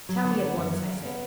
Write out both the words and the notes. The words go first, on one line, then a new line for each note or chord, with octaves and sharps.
"Tell me at once, I say."
F#3
D3
B3
F#2
F#3
C#3
B3